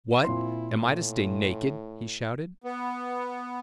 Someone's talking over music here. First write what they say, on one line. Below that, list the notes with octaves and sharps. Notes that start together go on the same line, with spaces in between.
"What, am I to stay naked?" he shouted.
A#2 C4 E4 C6
A2
B3